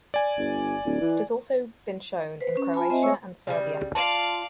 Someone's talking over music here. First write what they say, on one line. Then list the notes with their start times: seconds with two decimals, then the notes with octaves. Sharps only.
It has also been shown in Croatia and Serbia.
0.14 D5 G#5
0.38 G1
0.85 D1
1.01 E3
2.41 B4 C5
2.57 C#4
2.74 F4 G#5 A5 B5
2.90 C4 C5 D#5 E5 G#5
3.02 A3 C#5 C#6 E6
3.47 C#3 E3 G3
3.95 F4 D5 F5 A5